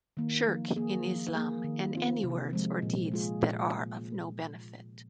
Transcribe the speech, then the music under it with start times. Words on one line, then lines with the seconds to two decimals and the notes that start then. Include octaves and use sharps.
Shirk in Islam, and any words or deeds that are of no benefit.
0.17 D#3 A#3
0.47 F3
0.76 A#3 G#4
1.06 F3
1.35 A#3 G#4
1.64 D#3
1.94 C4 F4
2.23 C3
2.53 F3 G#3
2.82 A#2
3.12 G#3 F4 G#4
3.41 A#2